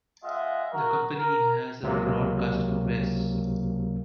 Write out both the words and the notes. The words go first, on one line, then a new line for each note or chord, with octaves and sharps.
The company has a broad customer base.
G#3 F4 D#5 E5 F#5
F#4 A#4
A#4
C#2 C3 F#3 A#3